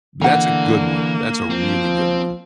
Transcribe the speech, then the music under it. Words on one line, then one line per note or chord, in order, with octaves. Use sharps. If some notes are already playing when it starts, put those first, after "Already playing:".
but that's a good one, that's a really good one.
D3 E3 A#3 F#5 A#5
F3 C4